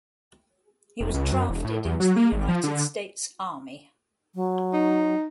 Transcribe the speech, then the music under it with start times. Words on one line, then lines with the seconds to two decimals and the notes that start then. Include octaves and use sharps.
He was drafted into the United States Army.
1.00 F1
1.14 C#2
1.32 F#2
1.49 E1
1.65 A2
1.85 E2
2.00 F#3
2.16 A#3
2.32 G#1
2.49 F3
2.63 D3
4.35 F#3
4.74 D#4